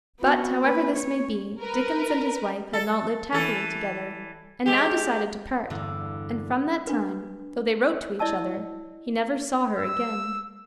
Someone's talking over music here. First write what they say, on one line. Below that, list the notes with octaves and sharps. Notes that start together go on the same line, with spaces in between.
But, however this may be, Dickens and his wife had not lived happily together, and now decided to part, and from that time, though they wrote to each other, he never saw her again.
B3 F#4
A#3 B4
C#5
A#4 B4
A4
E3 A4
G#3 G4
E2 G2 D3
D4 B4
E4 D5 D#5 A5 E6
E6